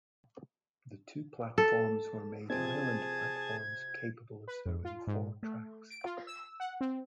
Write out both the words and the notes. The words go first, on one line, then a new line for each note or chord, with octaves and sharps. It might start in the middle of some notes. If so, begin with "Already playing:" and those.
The two platforms were made island platforms, capable of serving four tracks.
A4
C3 F3 C4 G#4 A5 G#6
B4
F2
F4
G#2
A3
D7
F4
E6
F#5
C4